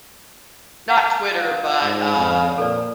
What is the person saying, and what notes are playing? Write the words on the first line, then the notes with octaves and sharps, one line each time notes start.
not Twitter, but, um,
F#5
F4
G#2
F2 B5
A#2 A4 A#4 D5